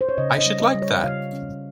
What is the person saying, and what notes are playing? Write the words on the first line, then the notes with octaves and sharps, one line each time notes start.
I should like that!
C5
C#5
C#3 D#5
D#5
G3
D#5
G3
C#5
C#3 F5
C#4